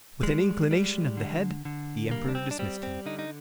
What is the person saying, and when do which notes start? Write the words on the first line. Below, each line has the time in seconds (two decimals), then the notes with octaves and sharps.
With an inclination of the head the Emperor dismissed him.
0.23 G3 G#3
0.71 G3
1.17 D3
1.65 D3
2.11 G3 A#3
2.28 D4
2.35 C4
2.51 D4
2.59 G3 C4
2.83 C4
3.06 D3 D#4
3.19 D#4